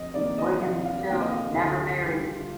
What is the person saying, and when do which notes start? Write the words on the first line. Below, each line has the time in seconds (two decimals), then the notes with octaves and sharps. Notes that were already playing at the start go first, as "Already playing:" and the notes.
William Still never married.
Already playing: F2 D#5
0.14 C3 D#3 A#3 D5
0.38 D#5
0.61 F2 F5
0.86 F5
1.09 C3 D#3 A#3 G5
1.21 D#5
1.33 F5
1.55 D2 A4
1.79 G4
2.03 D3 G4
2.07 G3
2.27 F4
2.40 F4